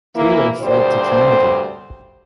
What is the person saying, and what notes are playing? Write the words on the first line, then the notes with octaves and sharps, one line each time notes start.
Taylor fled to Canada.
E3 A#3 E4
D2 G2 G3 C5